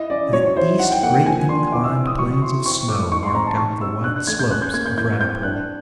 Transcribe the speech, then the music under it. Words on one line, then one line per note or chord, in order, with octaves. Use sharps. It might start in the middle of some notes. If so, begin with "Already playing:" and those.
To the east great inclined planes of snow marked out the wide slopes of Radipole.
Already playing: E4 D#5
C#4 D5
F#3 C#5
C#5
E4 C5
D#4 F#5
G5
A#3 F#5
G5
F3 G#5
D4 C6
E4 D6
E6
C4
D#6
F#3 C#6
E4 C6
C4 C#6
A3 D6
D#4 C#6
C6
C4 A#5
A5
D#4 C#6
C4 E6
D4 F#6
F#6
A3 G#6
G6
C#4 F#6
G6
A#3 G#6
G6
E4 G6
C4 G6
D4 F#6